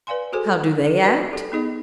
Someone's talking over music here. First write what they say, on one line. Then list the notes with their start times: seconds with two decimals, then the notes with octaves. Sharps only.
How do they act?
0.07 B4 D5 F5 G#5 C6
0.32 F#4 G#4 A4 C5 G#5
0.87 A4
1.04 F#4 A#4 B4 D5 D#5
1.33 G4 A4
1.52 B3 D#4 G#4 D#5